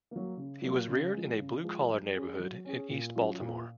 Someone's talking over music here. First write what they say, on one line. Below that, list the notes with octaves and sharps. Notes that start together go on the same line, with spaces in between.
He was reared in a blue-collar neighborhood in East Baltimore.
F#3 A#3
C#3
F#3 A#3
C#3
F3 G#3
C#3
F3 G#3
F#3
C#4 G#4
F#3
C#4 G#4
A#2
F#3 C#4 F4
A#2